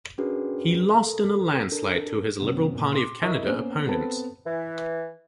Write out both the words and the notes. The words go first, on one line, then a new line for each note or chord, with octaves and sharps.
He lost in a landslide to his Liberal Party of Canada opponent.
C#4 D4 F#4 G#4 A#4 B4
A4 A#4
D4 A4 A#4
F#2 C3 B3
A#2
C6 D6
E4 A#4 D#5 E5 C#6
A#3 B3 C#4 C5
B3 C4 A4 B4 A5
E3